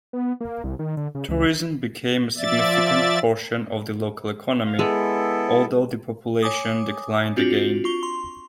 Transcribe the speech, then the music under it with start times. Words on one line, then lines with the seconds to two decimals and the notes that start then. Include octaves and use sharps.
Tourism became a significant portion of the local economy, although the population declined again.
0.13 B3
0.41 A#3
0.64 C2
0.79 D#3
0.97 D3
1.15 C#3
1.29 C#2
2.38 F3 D5 E5 A6
4.65 F5
4.79 G#3 B3 E4 A4
6.42 C#5 G#5 D6 D#6
7.37 C4 D4 F4 F#4
7.84 F4 C#6 G7
8.03 C6